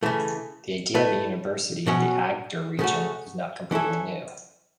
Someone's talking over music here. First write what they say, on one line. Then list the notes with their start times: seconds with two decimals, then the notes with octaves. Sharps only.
The idea of a university in the Agder region is not completely new.
0.03 C#3 E3 A3
0.95 A3 E4 B4
1.86 B2 F#3 C#4
2.79 C#3 A3 C#4 F#4
3.71 E3 C#4 E4 A4